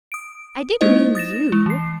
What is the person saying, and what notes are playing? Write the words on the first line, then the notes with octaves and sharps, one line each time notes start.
'I didn't mean you!
D#6 D7
G#3 A#3 D#4 E4 C5 D#5
D#6 A6 A#6 E7
G#3
E3 C7